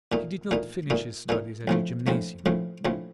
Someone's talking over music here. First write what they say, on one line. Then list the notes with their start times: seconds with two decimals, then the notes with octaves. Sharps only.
He did not finish his studies at the gymnasium.
0.12 A#2 A3 D#4
0.51 A#2 A3 D#4
0.90 A#2 A3 D#4
1.29 A#2 A3 D#4
1.68 A#1 A2 F3 A3
2.07 A#1 A2 F3 A3
2.46 A#1 A2 F3 A3
2.85 A#1 A2 F3 A3